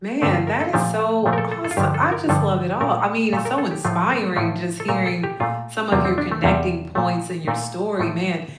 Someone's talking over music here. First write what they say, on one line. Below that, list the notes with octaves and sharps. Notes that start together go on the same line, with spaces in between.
man, that is so awesome I just love it all. I mean, it's so inspiring just hearing some of your connecting points in your story, man
G2 D3 A3 A4
F4
A#4
A4
A#2 F3 A3 G4
A#2 F3 A3
A#4
A4
A4
A4
F4
G2 D3 F3 G4
A4
A#4
G2 D3 F3 A4
A#2 A3 A#4
A#2 A3 A4
A#4
A4
G4
A2 F3 A3 F4
A4
A2 F3 A3 F4
A4
A#2 A3 A#4
A4
G4
A#2 A3 F4
E2 C3 G3 A#3
C4
D4
A3
E2 C3 G3
A#2 A3
A#2 A3
A2 F3 A3